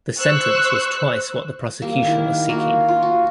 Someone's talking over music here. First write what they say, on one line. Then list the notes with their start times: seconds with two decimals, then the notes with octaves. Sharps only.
The sentence was twice what the prosecution was seeking.
0.18 C5 C#6 E6 F#6
1.82 G3 A#3
2.03 D#3 A#3 E4
2.49 A#3 F#4 A#4
2.88 F4
3.02 F#4